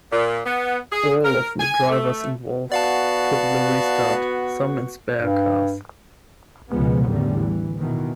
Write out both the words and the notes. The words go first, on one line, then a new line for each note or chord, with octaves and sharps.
All of the drivers involved took the restart; some in spare cars.
A#2
B3
G#4
A#4
G#5
A3
B3 F#4 D5 F5 A5
G2
C#2 B2 F3 G#3 B3
A1 E2 D3 D#3 G3
E3
B2 D#3 E3